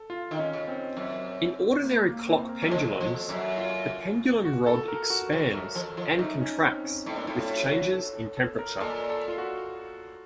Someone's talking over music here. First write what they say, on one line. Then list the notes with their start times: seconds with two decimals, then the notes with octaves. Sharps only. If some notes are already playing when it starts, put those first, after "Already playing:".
In ordinary clock pendulums, the pendulum rod expands and contracts with changes in temperature.
Already playing: A4
0.10 F4
0.31 D#3
0.39 C#4
0.53 C#3
0.68 C4
0.97 F#2
1.84 A#3
2.06 A#3
2.27 C4
2.49 A#4
2.62 F#2
2.71 F3 A4
2.93 F#4
3.00 F3
3.14 A4
3.29 F#2
3.36 F#4
3.58 F4
4.45 F#4
4.67 A4
4.88 A#4
5.10 F#4
5.32 F3
5.53 F#2 A#4
5.75 F3 A4
5.97 F3 F4
6.19 F#2 D#4
6.41 C#4
6.63 C4
6.84 C#4
7.06 A2 D#4
7.16 A#2
7.27 A2 F4
7.50 F#4
7.71 F#4
7.93 A4
8.15 A4
8.37 A4
8.59 A#4
8.80 A#2 A4
9.10 A4
9.28 F4
9.38 F#4